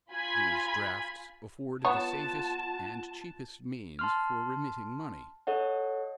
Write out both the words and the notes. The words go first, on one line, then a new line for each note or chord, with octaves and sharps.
These drafts afford the safest and cheapest means for remitting money.
F4 G#5 B5 G#6 B6
B3 F4 C#5 F#5 A5
A5 C6 F6
A4 C#5 D#5 F#5